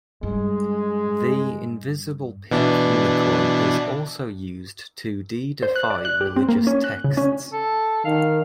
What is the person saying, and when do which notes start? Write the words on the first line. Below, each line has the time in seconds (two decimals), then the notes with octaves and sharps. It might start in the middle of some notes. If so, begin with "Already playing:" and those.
The Invisible Pink Unicorn is also used to de-deify religious texts.
0.23 G2 G#3
2.51 B2 E3 D4
5.63 C5
5.76 F#6
5.90 D5
6.05 F#6
6.21 G4
6.36 C4
6.48 A#3
6.67 C#4
6.84 F#6
7.04 C#3
7.17 C#4
7.53 A4
8.05 D#3 F5